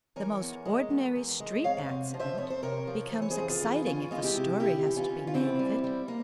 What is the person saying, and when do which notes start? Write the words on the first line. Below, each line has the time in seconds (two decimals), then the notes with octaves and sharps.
The most ordinary street accident becomes exciting if a story has to be made of it.
0.16 E3 A#4 C#5
0.41 E2
0.65 G#3
0.90 E2
1.15 E2
1.40 G#3
1.64 F2 C#5 F5
1.89 C3
2.14 F3
2.19 C5 E5
2.38 F2 C#5
2.50 C5
2.63 C3 A#4 C#5
2.87 F3
3.12 E3 C5
3.22 C#5
3.31 G#4 C5
3.37 F2
3.49 F4 G#4
3.62 E3
3.86 E3 C#4 F4
4.11 G#3 F4
4.23 E4 G4
4.36 C3
4.60 E2 E4 G4
4.84 E3
4.97 C#4 F4
5.09 E3
5.27 F4
5.34 E2 C4 E4
5.59 G3
5.84 G3
6.08 A#3